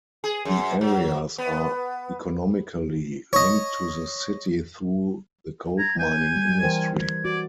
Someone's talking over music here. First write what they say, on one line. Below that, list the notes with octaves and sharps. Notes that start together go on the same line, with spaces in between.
The areas are economically linked to the city through the gold mining industry.
G#4
F#2
F#3
B3
C#5 D#5
A#5 G#6
G#5 G6
G3
E3 A#4 C5 G5
G#6
F#4 D5